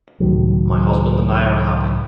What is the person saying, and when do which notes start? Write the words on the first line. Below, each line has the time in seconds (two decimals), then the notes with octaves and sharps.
My husband and I are happy.
0.20 C#2 A2 D#3 F#3